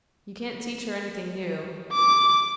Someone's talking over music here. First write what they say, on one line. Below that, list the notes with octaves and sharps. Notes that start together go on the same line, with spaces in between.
You can't teach her anything new.
D6